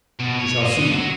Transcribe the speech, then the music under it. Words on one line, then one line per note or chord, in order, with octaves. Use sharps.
We shall see.
B2
C#5
C5 D#5
D3
F#3 F#4